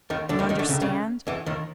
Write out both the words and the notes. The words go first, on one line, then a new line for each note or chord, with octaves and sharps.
You understand?
D#2 D#3
D2 D3
D#2 D#3
D#2 D#3
D2 D3
C#2 C#3
C#2 C#3
E2 E3
D#2 D#3